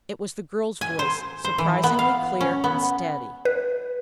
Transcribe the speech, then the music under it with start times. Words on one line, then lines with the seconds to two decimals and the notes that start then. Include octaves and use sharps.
It was the girl's voice, surprisingly clear and steady.
0.81 G#5
0.99 C5
1.45 C5
1.58 E3
1.84 B3
1.99 F5
2.41 C#4
2.64 B3
3.45 B4